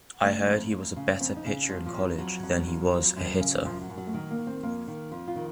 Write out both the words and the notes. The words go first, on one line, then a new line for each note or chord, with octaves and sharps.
I heard he was a better pitcher in college than he was a hitter.
C#3 A3
F2
F2
C#3
F2 C4
D#4
C#3
C#4
F2 F#3
F3
F2
F2 F#3
F2
F2
F2
F#2
C#3
F#2 F3
F#3
F#2
F#3
A3
D#3 F#3
A#3
D#3
C4
F2 A#3
D#3
F2
F4
D#3